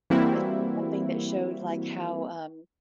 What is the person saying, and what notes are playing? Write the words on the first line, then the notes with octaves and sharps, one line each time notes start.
I think something that showed, like, how, um,
E3 G3 A#3 C4 E4 F#4